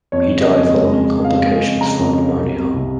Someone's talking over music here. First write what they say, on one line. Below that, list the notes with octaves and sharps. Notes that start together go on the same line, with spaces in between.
He died following complications from pneumonia.
F2 C#5
C#3
D#5
F2
G#3 C#5
F2
C#3
F2 F5
G#3
F2
C#3 A#5
F2
G#3
C2
C3
C2